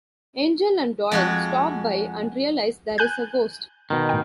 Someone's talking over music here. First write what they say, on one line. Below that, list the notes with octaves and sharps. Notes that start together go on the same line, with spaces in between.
Angel and Doyle stop by and realize there is a ghost.
F2 G#3 F#4
G#5 F#6 G6
B2 D#3
A2 G5